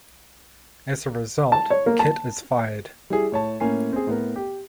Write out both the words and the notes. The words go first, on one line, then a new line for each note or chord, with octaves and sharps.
As a result, Kit is fired.
A5
C#5
A#3
A5
G3 E4 G#4
A2 C#5 A5
A2 A#3 C#4 G#5 C7
C4 G#4
A2 B3 A#4
G4